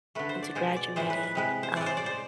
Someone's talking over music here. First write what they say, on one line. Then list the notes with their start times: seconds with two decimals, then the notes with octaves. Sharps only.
into graduating, um
0.15 D3 A3 B4
0.29 C5
0.43 D5
0.55 B2 G#3 C5
0.76 D5
0.96 A2 E3 G#3 C5
1.10 B4
1.23 B4
1.35 C3 G#3 B4
1.63 C5
1.76 A2 G#3 D5
1.86 C5
1.97 D5
2.06 C5